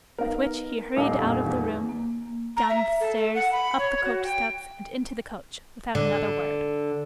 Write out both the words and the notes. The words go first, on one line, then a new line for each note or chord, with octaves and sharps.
With which he hurried out of the room, down the stairs, up the coachsteps, and into the coach, without another word.
B3 D#4 A#4 F5
D#1 D#4 A4 F5 F#5 A#5 D6
A#1 F2 G#6
E2 D#3
A#3
A#5
E5
A4
A4
F#5
B5
C#5
F#4
G5
D3